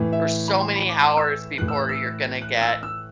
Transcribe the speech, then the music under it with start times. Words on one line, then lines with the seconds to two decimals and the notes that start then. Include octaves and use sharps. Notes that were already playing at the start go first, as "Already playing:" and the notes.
or so many hours before you're gonna get
Already playing: A2 E3
0.13 E5
0.48 B5
0.61 C6
0.76 B5
0.89 D6
1.03 D6
1.17 E6
1.58 A2 E3 F#6
1.68 E6
1.89 E6
2.42 F#6
2.61 E6
2.83 E6